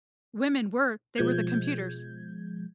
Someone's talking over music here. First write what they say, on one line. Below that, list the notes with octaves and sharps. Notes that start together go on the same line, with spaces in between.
women were they were the computers,
B2 F3 G#3 G6 G#6